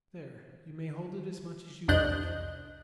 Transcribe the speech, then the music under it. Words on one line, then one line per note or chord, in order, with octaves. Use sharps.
There, you may hold it as much as you like.
C2 F2 D4 D#5 F#6 G6